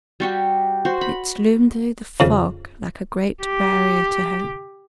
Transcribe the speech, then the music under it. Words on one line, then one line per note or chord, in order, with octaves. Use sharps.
It loomed through the fog like a great barrier to hope.
G3 F#4 G4
F#4 C5
B5
F2 C#3
G4